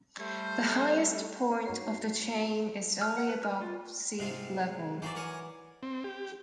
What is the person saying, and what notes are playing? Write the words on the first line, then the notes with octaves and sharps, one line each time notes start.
The highest point of the chain is only above sea level.
G3 A3 C5
G2 D#4 F#4 C#5 C7
F6
F#5
B4
F6
F4
G#2 C3 F4
E3 F#3 C5 D5 E5
A#4 C#5 G#5
C4
G4